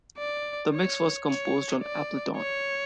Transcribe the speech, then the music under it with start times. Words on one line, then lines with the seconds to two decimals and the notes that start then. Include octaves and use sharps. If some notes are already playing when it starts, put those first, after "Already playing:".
The mix was composed on Ableton.
0.18 D5
0.73 C#5
1.27 C#5
1.82 D5
2.37 C#5